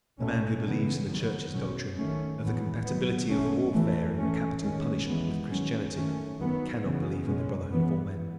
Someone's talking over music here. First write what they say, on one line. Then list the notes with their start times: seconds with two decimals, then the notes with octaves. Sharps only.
The man who believes in the Church's doctrine of the compatibility of warfare and capital punishment with Christianity cannot believe in the brotherhood of all men.
0.19 B2 A3 C#4
0.64 C#3 E3 B3
1.08 D#3 F#3 B3
1.53 B2 F#3 C#4
1.97 D#3 A3 C#4
2.41 A2 E3 B3
2.85 D#3 F#3 B3
3.29 B2 A3 C#4
3.74 A2 E3 A3
4.18 E3 A3 C#4
4.62 D#3 G#3 C#4
5.06 E3 G#3 B3
5.50 D#3 F#3 C#4
5.94 D#3 A3 C#4
6.38 D#3 F#3 B3
6.82 C#3 E3 B3
7.26 B2 G#3 C#4
7.71 E3 B3